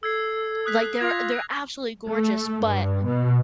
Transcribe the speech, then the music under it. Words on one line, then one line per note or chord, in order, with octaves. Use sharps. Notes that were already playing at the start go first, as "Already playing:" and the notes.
Like, they're they're absolutely gorgeous, but
A4 E6 G#6 C7
D#6 F#6 B6
F4 G#6 A#6 F7
A3
G2
B2